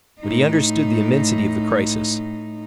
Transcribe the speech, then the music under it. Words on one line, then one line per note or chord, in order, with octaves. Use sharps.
But he understood the immensity of the crisis.
A2 D#4